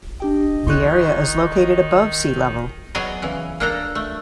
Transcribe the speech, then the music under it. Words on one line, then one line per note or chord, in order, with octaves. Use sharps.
The area is located above sea level.
D4 G4 D#5 G5
D#3 D#4 E4 C6 C#6 F#6
F#3 B3 G#4 D5 D#5
C#3 E3
A#3 D4 A4 A#5
A3